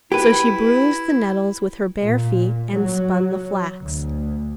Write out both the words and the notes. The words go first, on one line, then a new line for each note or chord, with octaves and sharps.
So she bruised the nettles with her bare feet and spun the flax.
E4 G4 B4
A#2
F#3
D2